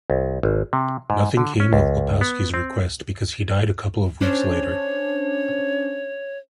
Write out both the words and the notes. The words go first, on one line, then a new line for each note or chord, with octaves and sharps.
Nothing came of Wapowski's request, because he died a couple of weeks later.
C2
G#1
C3
G#2
D3
C#4
C#2
B3
C4
C#4 D4 C5 C#5